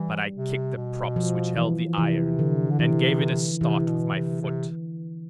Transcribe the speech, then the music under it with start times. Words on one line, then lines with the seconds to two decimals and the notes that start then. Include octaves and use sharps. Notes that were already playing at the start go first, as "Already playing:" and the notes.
But I kicked the props which held the iron, and gave it a start with my foot.
Already playing: E3 G3
0.35 C3
0.76 B2
1.16 F3
1.57 E3
1.98 C3 E3
2.39 D3
2.71 D3
2.79 C3 E3
3.61 C3 E3
3.87 B2
4.15 C3
4.42 C3